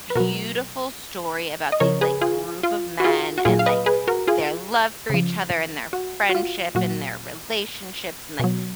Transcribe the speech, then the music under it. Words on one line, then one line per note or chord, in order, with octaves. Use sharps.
beautiful story about these, like, group of men, and, like, their love for each other and their friendship and their relationships and, like,
B4
B2 F#3 F#4 A#4
D#5
C#3 F3 A#4 C#5
G#4 B4
F4 G#4
F4
F#4
F4 G#4
F#4
A#2 F#3 F4 G#4
F5
B4 D#5
G#4 B4
F#4 A#4
F4 G#4
C#3 F3
F#4
F#4
F4
A#2 F#3 F#4
B2 F#3